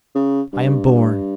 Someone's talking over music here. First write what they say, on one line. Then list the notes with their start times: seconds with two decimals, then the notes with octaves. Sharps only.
I am born.
0.15 C#3
0.53 G2